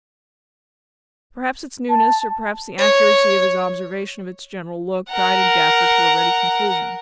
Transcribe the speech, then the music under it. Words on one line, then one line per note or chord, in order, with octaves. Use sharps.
Perhaps its newness, or perhaps the accuracy of his observation of its general look, guided Gaffer to a ready conclusion.
A5
C#5
A#4 F#5